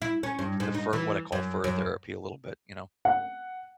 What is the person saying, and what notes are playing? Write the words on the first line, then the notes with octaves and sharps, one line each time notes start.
the fur what I call "fur therapy," a little bit, you know,
E4
C#4
G2
G#2
D#4
E3
F#2
F#2
F#5